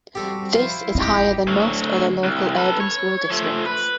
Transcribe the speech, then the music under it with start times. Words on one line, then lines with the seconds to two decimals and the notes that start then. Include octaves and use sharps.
This is higher than most other local urban school districts.
0.15 G3 C4 F#4 G4 A4
0.55 F3 E4 F4 C5
0.95 A1 C4 D#4 G4
1.47 D2 F#3
2.24 C2
2.57 A4 B4
2.80 C#5
3.30 F3 A3
3.66 B4